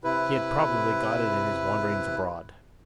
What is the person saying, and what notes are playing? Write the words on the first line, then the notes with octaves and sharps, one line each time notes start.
He had probably got it in his wanderings abroad.
C3 E4 B4